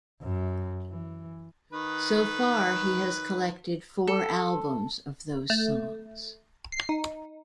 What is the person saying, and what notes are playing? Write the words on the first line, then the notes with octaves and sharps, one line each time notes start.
So far, he has collected four albums of those songs.
F#2
E3
D#3 B4
A4
A3
C7
D#4